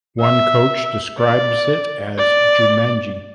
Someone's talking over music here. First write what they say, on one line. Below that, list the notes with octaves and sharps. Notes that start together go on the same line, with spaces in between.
One coach describes it as Jumanji.
E5
D5
D5